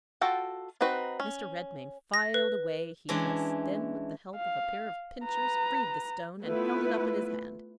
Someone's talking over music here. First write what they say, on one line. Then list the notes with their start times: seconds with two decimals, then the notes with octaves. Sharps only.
Mr. Redmain filed away, heedless; then with the help of a pair of pincers freed the stone, and held it up in his hand.
0.21 F4 F#4 A4 F#5 G5
0.81 C4 D#4 F#4 B4
1.20 C#4
2.14 A#6
2.34 B4
3.09 E3 G#3 C#4 D4
4.37 F5
5.26 B4 A#5
6.43 A3 B3 E4 F4 B4